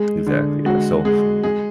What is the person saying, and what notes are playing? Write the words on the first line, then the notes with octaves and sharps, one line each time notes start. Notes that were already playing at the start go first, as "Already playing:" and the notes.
Exactly, yeah, so
Already playing: G#3 G#4
D3
G#3 F#4
G#3 G#4
G#3 G#4